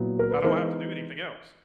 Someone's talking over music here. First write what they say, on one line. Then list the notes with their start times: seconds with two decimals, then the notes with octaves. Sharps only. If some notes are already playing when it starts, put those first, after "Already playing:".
I don't have to do anything else.
Already playing: A#2 F#3 B3 E4
0.19 A#4
0.31 B4
0.43 E3 G#3 B3 D#4 A#4 C5